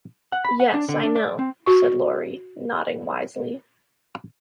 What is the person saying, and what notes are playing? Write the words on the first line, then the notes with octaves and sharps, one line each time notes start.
"Yes, I know," said Laurie, nodding wisely.
F#5
B5
F#5
D4
D3
D4
D5
C4
F#4 C#6